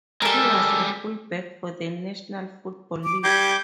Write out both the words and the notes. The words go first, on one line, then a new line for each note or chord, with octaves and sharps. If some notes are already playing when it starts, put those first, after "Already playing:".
He was a fullback for the National Football League.
G3 G#3 A4 A#4
D6
G3 D6 G6 G#6